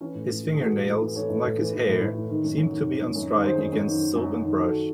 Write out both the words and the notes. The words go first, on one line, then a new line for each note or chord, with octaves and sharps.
His finger-nails, like his hair, seemed to be on strike against soap and brush.
E3 C#4
A2
A2
E3
G#4
E3 F#4 A4
A2
A2
E3
E3 A4 C#5
A2
A2
E3
E3
A2
A2
E3
D#3
F#2
F#2
D#3
D#3
F#2
F#2
D#3
D#3 G#4 C5
F#2
F#2
D#3
D#3
F#2
F#2
D#3
D#3 F#4 A4